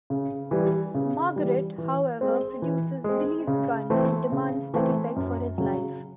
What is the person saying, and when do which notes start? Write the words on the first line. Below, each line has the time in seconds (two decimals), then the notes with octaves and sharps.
Margaret, however, produces Billy's gun and demands that he beg for his life.
0.10 C#3
0.51 E3 G3
0.94 C#3
1.36 E3 G3
1.78 E3
2.21 G#3 C4
2.62 E3
3.04 G#3 C4
3.47 C#3
3.90 E3 A3 C4
4.32 C#3
4.74 E3 A3 C4
5.16 F#2
5.58 C#3 F#3